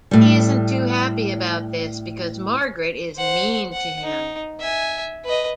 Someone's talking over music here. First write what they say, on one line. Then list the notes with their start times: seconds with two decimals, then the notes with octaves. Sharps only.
He isn't too happy about this, because Margaret is mean to him.
0.11 A2 G3
3.16 C5 F#5
3.72 F#5
4.03 D#4
4.60 E5 G#5
5.25 B4 D#5